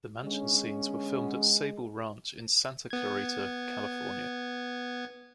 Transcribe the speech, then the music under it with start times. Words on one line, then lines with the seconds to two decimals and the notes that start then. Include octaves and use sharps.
The mansion scenes were filmed at Sable Ranch in Santa Clarita, California.
0.24 D3 G#3 B3 C#4
2.90 B3 G#6